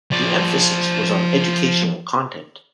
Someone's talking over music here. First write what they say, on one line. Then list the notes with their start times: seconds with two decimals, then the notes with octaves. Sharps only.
The emphasis was on educational content.
0.12 F3 D5